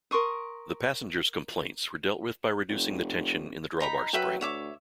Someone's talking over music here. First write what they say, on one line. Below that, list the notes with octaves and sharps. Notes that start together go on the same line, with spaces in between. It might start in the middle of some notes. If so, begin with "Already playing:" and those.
The passengers' complaints were dealt with by reducing the tension in the drawbar spring.
A#4 C6 C#6 D#6
F1
D#4 A#5 B5
F#3 B4 E5 G5
D2 C#5 E5 D6